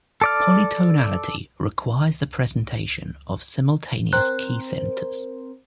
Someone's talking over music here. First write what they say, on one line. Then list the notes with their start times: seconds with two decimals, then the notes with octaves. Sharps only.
Polytonality requires the presentation of simultaneous key-centers.
0.22 A4 D5 F6
4.13 C4 A#4 C5 F#6